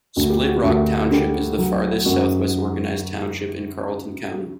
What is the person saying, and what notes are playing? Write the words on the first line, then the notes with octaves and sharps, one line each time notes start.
Split Rock Township is the farthest southwest organized township in Carlton County.
D2 F#4
G4
F#4
G4
D2 F#4
D3 G4
F#3
F#2 F#4